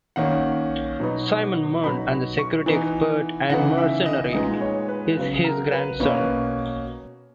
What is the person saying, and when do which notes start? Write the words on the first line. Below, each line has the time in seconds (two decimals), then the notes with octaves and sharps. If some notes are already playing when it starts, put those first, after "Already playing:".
Simon Mann, the security expert and mercenary, is his grandson.
0.16 D#3 A#3 C#4 F#5
1.00 B2 F#3 B3 D#4
1.84 B2 F#3 B3 D#4 B5
2.39 C#6
2.66 E3 B3 D#4
3.50 C#3 E3 B3 D#4 F#5
3.78 E5
4.06 D#5
4.33 A#2 G#3 B3 D#4 D#5
4.61 C#5
4.89 B4
5.17 C#3 F#3 B3
5.34 G#4
5.44 A#4
5.72 B4
6.00 B2 A#3 C#4 B4